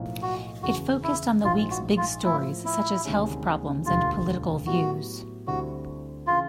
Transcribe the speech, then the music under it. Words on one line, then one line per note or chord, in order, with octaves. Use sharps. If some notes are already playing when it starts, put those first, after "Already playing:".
It focused on the weeks big stories such as health problems and political views.
Already playing: B1 A2 F3 A#3
F#4
F#1 E2 C#3 F#4
E4
A#1 G#2 F3 F4
F#4
F4
A2 F3 A#3 E4
E4
D2 C3 D#3 G#3 C#4
E1 D2 D3 G3 A#3 F4
A2 F#3 B3 E4 F#4 G4
D2 D3 G3 C4 E4 F#4
C#3 E3 F4